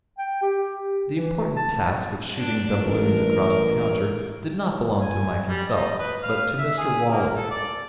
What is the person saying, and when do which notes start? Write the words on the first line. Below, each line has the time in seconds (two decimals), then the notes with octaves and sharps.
The important task of shooting doubloons across the counter did not belong to Mike himself, but to Mr Waller.
0.18 G5
0.42 G4
1.11 E3
1.56 A5
2.35 D4 D5
2.81 A1 A#4
5.00 G#5
5.48 G3
5.68 D#5
5.99 B4
6.23 F5
6.58 E5
6.78 G#4
7.11 A#3
7.36 A4
7.51 D5